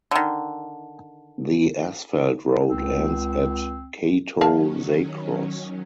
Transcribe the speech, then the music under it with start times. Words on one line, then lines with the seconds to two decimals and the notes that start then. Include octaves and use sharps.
The asphalt road ends at Kato Zakros.
0.11 D3 D#3
2.70 C#2 C4
4.41 D#3 F#3 C#4 A#4 F5 A5